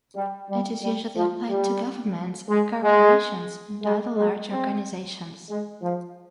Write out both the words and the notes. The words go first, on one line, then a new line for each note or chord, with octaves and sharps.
It is usually applied to governments, corporations, and other large organizations.
G3
G3
G3
F3
G3
G#3
G#3
G#3
G#3
C4
G#3
F3